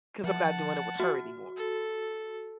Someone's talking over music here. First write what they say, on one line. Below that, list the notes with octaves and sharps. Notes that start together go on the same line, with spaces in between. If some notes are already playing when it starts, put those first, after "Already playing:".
'cause I'm not doing it with her anymore,
F3 F#5 A5
F#4
A4